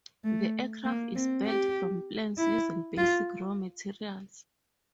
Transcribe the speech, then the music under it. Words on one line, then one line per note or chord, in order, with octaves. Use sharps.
The aircraft is built from plans using basic raw materials.
A3
A#3
C4
G4
E4
F4